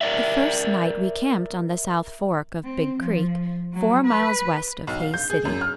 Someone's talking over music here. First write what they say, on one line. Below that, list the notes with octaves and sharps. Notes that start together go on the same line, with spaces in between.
The first night we camped on the south fork of Big Creek, four miles west of Hays City.
A#4 C5 D5 E5
C4
F3
F#3
B4
B1
F5
G6
G#4
F#2
F6